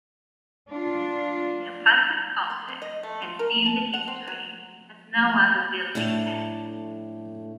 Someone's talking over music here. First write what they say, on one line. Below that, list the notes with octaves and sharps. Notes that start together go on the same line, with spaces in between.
The apartment complex had seen the history as no other building had.
D4 F4
C6
C4
D#5
A3
F4
A#4
A5
F#5
C4
F#3
A2 A3 D4 A5